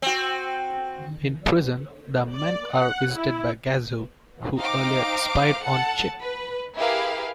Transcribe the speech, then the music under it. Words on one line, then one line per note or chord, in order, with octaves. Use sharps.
In prison, the men are visited by Gazoo, who earlier spied on Chip.
C4 F#4
D5
F#5
E4
D#4 C5 F5 G5 A#5 D6
A4 F#5 A5 C#7
B4
E4 G4 G#4 A#4 B4 F5